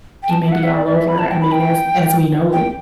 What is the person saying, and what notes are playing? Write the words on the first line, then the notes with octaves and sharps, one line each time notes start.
it may be all over, I mean, as as we know it.
G5
A5
E5
F#5
E5
D5
D5
E5
B5
A5
G5
B5
G5
G5